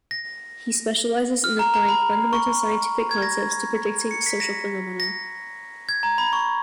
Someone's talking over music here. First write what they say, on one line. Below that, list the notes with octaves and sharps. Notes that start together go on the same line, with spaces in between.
He specializes in applying fundamental scientific concepts to predicting social phenomena.
A#6
F6
A#5
A#5
B5
C#6
G#6
A#6
C#7
B6
A#6
A#6
G#6
A#5
B5
C#6